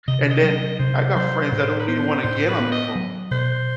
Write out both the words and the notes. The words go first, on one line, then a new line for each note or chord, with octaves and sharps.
And then I got friends that don't even wanna get on the phone.
C3 D#5
D#5
F#3 D#5
C3 C5
F#3 C5
A2 C5
B4
B3 C5
A2 C5
B4
B3
D#5
F#3
B2 C5